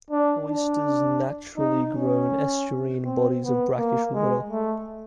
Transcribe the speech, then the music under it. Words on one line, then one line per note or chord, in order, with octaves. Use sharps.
Oysters naturally grow in estuarine bodies of brackish water.
D4
D4
D#4
C#4
C4
B3
A#3
G#3
A3